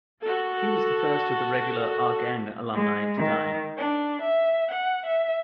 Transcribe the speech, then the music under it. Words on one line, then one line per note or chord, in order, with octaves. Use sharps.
He was the first of the regular "Our Gang" alumni to die.
F#4 A4
G#3
D#3
D4
E5
F#5
E5